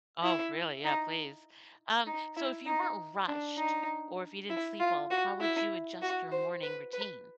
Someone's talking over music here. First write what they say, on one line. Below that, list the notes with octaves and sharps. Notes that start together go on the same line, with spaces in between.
Oh, really? Yeah, please. Um, so if you weren't rushed or if you didn't sleep well, how would you adjust your morning routine?
E4
D#4
D#4
E4
D#4
D4
D#4
E4
F4
F#4
E4
F#4
C5
B4
B4